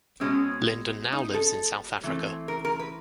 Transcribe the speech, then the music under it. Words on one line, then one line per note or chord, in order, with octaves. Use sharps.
Lyndon now lives in South Africa.
B2 G#3 C4 C#4
D#4
A4
E3 A3 C4
A#4
A#4
B4